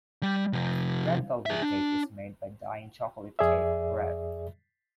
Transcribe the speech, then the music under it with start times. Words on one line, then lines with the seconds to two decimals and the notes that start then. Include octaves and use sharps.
Red velvet cake is made by dyeing chocolate cake red.
0.23 G3
0.53 C3 F3
1.46 G#4 E5
1.62 D4
3.39 F2 G#4 D5 E5